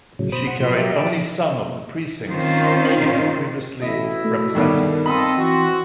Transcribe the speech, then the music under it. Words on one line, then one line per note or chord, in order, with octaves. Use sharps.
She carried only some of the precincts she had previously represented.
A2 C#3 F#3
B2 C5 B5 D#6
F#5
A#2 F3 C6
F#3 G4 A#4 D#5 E5
D5 E5 G5
D#3 C4 C#4 D#4 F4 C5
A1 B2 E4 D#5
A3
G2 B2 D3 D#3 G3
C4 F4 A4 D#5 B5
E3 F#4